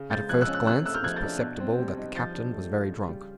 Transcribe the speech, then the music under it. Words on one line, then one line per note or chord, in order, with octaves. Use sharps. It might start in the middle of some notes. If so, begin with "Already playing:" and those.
At a first glance it was perceptible that the captain was very drunk.
Already playing: C#3
G#3 G6 A6
F3 F#6 G#6
E6 F#6
C#4
E6 F#6
C3 E6 F#6
A3 E6 F#6
F6 G6
F3 F#6 G#6
G6 A6
D4
B2
C4
G3
D#4
F3 G6 A6
D4
A3
F4
C#3
G3